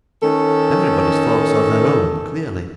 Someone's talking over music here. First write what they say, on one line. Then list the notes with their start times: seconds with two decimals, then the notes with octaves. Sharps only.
Everybody's thoughts are their own, clearly.'
0.22 D#3 C#4 A4